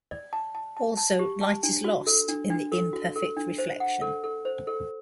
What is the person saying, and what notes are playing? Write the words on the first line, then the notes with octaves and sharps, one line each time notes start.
Also, light is lost in the imperfect reflection.
D5
A5
A5
A5
A5
G4
A5
D4
F#4
A4
D4
D4
A4
F#4
A4
D4
C5
F#5
A4
A4
C5
A4